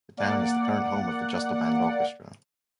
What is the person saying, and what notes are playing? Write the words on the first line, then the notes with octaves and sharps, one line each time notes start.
The town is the current home of the Jostiband Orchestra.
A#3 D5 F#5